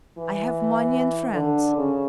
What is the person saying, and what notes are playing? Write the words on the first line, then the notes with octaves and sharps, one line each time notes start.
I have money and friends.
E3
D3
C#3